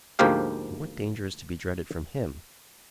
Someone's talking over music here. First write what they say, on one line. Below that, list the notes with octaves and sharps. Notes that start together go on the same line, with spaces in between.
"But what danger is to be dreaded from him?"
D2 G#2 F3 A#3 G4 F5